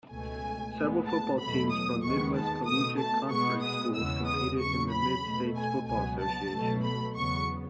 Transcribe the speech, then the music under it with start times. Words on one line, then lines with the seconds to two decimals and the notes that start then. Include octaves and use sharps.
Several football teams from Midwest Collegiate Conference schools competed in the Mid-States Football Association.
0.11 C#2 B2 A3 G#5
0.75 A2 G#3 B3
1.07 A5
1.39 E2 B2 F#3 A3 B5
1.71 D#6
2.02 D#2 D#3 G#3 B3 C#6
2.35 A5
2.66 B2 A3 D#6
2.99 A5
3.30 B2 G#3 B3 C#6
3.63 D#6
3.95 E2 C#3 G#3 B3 E6
4.27 D#6
4.59 E2 C#3 F#3 C#6
4.91 B5
5.24 B2 A3
5.56 G#5
5.87 C#2 B2 F#3 B3 G#5
6.20 A5
6.51 B2 F#3 A3
6.83 B5
7.16 E2 C#3 F#3 B3 C#6